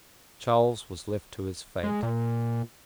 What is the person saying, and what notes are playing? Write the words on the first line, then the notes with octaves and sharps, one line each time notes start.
Charles was left to his fate.
G#3
A#2